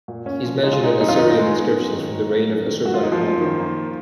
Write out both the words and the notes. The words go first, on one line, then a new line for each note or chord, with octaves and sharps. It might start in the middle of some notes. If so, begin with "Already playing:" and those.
He is mentioned in Assyrian inscriptions from the reign of Assurbanipal.
A#2
A#2 C#4
F3
G#3 D#4
F4
B3 D#4
F#2 D#4
F4
D#3 D#4
G#3
B3
F#2
D#3
F#3
A#3
F#2
D#3
F#3 F#4
F4
A#3 D#4
F3 F4
F#2
D#3
A#3